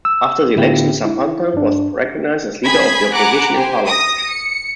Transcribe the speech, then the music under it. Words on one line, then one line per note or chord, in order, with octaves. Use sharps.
After the election Sampanthan was recognised as Leader of the Opposition in parliament.
E6
A2 D3 B3 E4 F4 G4
E4
G2 D4
C4 G#4 B5 G#6 B6
F#5 G#5 A#5 B5 D6 F#6
G4 C5 G#5
D#6 A#6
C#7